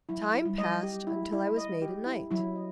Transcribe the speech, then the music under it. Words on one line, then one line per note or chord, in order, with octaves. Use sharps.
Time passed until I was made a knight.
F#3 E4
E4
G3
D#5
G4
E4
E4
D#5
G4
E4
F#3 E4
D#5